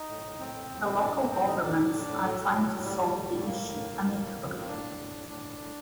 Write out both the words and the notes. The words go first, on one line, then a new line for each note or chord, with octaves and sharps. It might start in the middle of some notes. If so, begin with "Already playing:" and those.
The local governments are trying to solve the issue amicably.
Already playing: D#4
A2
A2
A2 C4
A2
A2
A2
A2 D4
A2 A#3
A2 C4
A2 D#4
A2 D4
A2
A2
A2
A2 F#3
A2
A2
A2
A2 G3
A2
A2
A2
A3
A2 A#3
A2
A2
A2
A2
A2
A2
A2
C4
A2 D4
A2
A2
A2
A2 D4
A2
A2